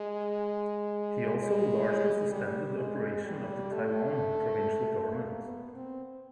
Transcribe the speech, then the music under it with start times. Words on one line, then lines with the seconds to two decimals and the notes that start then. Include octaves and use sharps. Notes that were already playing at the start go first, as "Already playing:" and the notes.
He also largely suspended the operation of the Taiwan Provincial Government.
Already playing: G#3
1.37 G#3
2.31 G3
2.77 G#3
3.24 G3
3.72 A3
5.12 A#3
5.44 B3
5.75 C4